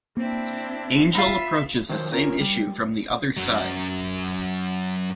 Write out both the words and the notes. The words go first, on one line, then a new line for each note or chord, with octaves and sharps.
Angel approaches the same issue from the other side.
A#3 C4 D4 E4
D#4 F4 E5 B5
F2 D#3 F#3 C5
C#4 F4 A#4
G3
F#2 F#3